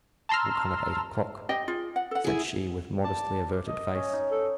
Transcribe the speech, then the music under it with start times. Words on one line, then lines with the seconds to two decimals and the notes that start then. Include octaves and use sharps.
"I will come at eight o'clock," said she, with modestly averted face.
0.29 A5 A#5 C6 E6 F6
1.49 G4 D#5 G5
1.68 F4 G#4
1.96 F#5
2.11 A4 F#5
2.24 E4 G#4
3.04 D5 A5
3.68 D#5
3.95 C#4
4.13 D#4
4.31 A4